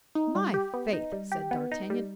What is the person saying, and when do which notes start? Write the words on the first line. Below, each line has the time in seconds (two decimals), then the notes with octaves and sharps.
"My faith," said d'Artagnan.
0.15 D#4
0.35 G3
0.54 G4
0.74 B3
0.93 D#4
1.12 G3
1.32 G4
1.51 B3
1.71 D#4
1.90 G3